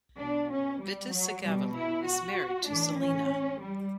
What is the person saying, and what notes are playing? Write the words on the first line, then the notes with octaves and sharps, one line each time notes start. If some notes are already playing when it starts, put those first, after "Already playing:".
Vitusagavulu is married to Silina.
B2 D4
C#4
G3
F#3
B2 G3
E4
F#4
A2 E3 D4
C#4
G3